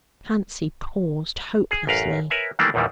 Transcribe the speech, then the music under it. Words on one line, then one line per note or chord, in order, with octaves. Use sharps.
Fancy paused hopelessly.
G#4
A1 F#2 A#4 B4 F5
A#4 B4 C#5 E5 G#5
D#3 E3 G3 A3 A#3 D4
A#1 E2 A#2 D#3 E3 G3